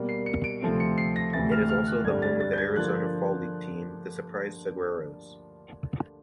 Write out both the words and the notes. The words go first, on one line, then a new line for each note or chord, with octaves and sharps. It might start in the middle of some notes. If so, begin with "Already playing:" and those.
It is also the home of the Arizona Fall League team, the Surprise Saguaros.
Already playing: B2 G3 A#3
C7
C#7
D7
D2 C3 F3 A3 C4
C#7
C7
A#6
D2 C3 E3 A6
F6
F6
F#6
G2 D3 G3 G#6
A6
A6
G6
G#6
D3 F3 A#3 D4 F4 F#6